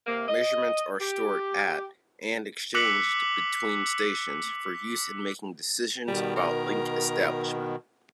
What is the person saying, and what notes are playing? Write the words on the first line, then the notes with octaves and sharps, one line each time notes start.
Measurements are stored at-and exchanged between-stations, for use in making decisions about link establishment.
C3 A#3
D#5
G4
D6 E6 F#6 B6 C#7 F#7
B2 D#3 G3
A#4